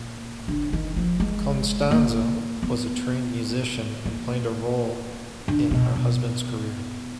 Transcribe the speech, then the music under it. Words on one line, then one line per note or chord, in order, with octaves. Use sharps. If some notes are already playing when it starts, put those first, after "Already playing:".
Constanze was a trained musician and played a role in her husband's career.
Already playing: A#2
D3
D#3
F3
G#3
A#3
B3
A#3
D3
B2
B2